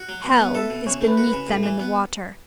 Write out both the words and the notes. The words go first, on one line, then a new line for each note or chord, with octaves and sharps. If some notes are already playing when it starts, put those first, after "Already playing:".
Hell is beneath them in the water!
Already playing: F#4
F#3
B2
B3
A4 E5
B2
C#3 C#5
A3
B4
F#4
B4
C#3
A2
E3
B3